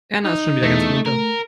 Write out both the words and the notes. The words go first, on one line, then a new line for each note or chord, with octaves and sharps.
Erna ist schon wieder ganz munter.
D#4
E2 A3
A3 A#4